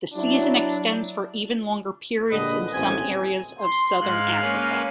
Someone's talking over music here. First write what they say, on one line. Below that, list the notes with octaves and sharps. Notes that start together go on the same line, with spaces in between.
The season extends for even longer periods in some areas of southern Africa.
F#3 D4 E4
A#2 D3 G#3 G4 B4 D#5
A1 D2 C4 C#4 G#5
C6
G#2 F5 F#6
A#3 C#4 B4